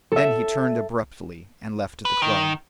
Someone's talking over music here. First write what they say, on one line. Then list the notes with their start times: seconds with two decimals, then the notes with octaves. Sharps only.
Then he turned abruptly and left the club.
0.12 A4 E5
2.05 B4
2.22 D#3